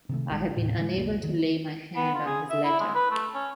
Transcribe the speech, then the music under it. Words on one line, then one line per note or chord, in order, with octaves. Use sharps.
I have been unable to lay my hand on his letter.
C3 D#3 A3
A#1 G3 G#3
D#1 A2 C3
D3 D#3 G#3
F1 B1 C#3 A#3
D#3
B3
F4
G#4
E5
E4
G#3
B4
A3
C#4